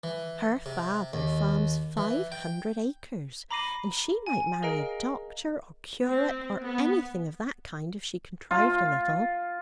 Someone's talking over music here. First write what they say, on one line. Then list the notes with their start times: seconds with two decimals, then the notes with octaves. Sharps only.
"Her father farms five hundred acres, and she might marry a doctor or curate or anything of that kind if she contrived a little."
0.04 E3
0.66 C3
1.13 D#2
1.97 E3
2.32 G5
3.51 A#5 B5 D6 A#6 C7 D#7
4.26 G#5
4.62 G#4 A#4 D#5 F5 A#5 D7
6.05 C4
6.62 B3
8.51 F4